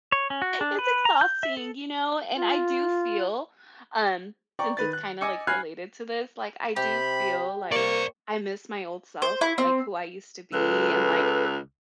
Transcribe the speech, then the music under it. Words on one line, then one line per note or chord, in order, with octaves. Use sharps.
It's exhausting, you know? And I do feel, um, since it's kinda, like, related to this, like, I do feel, like, I miss my old self, like, who I used to be and, like,
C#5
C#4
F#4
D4
B4
A#5
G6
E5
A4
F4
D5 G5 A#5 C#6
D#3 B4 A6
F#6
D#5 G#5 D6 E6 C#7
G#5 B5 F6 F#6 G#6 C7
C3 G4 B5
A#3 C5 D5 C#6
C5
E4
C4
C#2 A4 B4